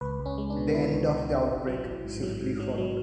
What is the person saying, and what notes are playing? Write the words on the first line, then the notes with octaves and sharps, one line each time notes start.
The end of the outbreak swiftly followed.
C#2 B4
C#2
C#4
G#3
D4
B2
B2 E4
C#2
B2
C#2
A1
F#3
A1
G#2
F#3
G#2
F#3
F#3